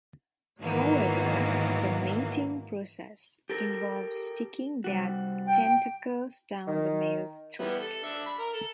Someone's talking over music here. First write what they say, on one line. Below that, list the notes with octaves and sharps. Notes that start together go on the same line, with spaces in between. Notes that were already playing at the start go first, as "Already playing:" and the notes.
However, the "mating" process involves sticking their tentacles down the male's throat.
G#2 D#3 E3 F#3 A#3 B3
G4 A4 A#4
C3 G3 F#4
G5
D#3
G3 B3 E4
A4
D4 E5
B5
A#4
A4